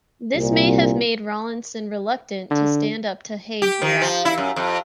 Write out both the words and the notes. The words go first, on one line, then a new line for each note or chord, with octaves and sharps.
This may have made Rawlinson reluctant to stand up to Haig thereafter.
C2 A#2
D3
G4
D#3
F3
E4
F#2
F2